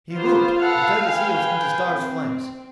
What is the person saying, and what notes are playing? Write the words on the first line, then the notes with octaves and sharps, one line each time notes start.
He whooped, and dug his heels into Star's flanks.
A#3 B3 F4 C5
A4 B4 F5 F#5
G#4 B4 G5
C4